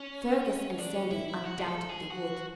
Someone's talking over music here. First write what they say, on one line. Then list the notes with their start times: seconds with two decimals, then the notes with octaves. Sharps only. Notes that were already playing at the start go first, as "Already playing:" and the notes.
Fergus and Sandy undoubtedly would.
Already playing: C#4
0.78 D4
0.94 C#4
1.10 E4
1.28 E4
1.44 F#4
1.58 G#4
1.66 A4
1.89 G#4
2.10 F#4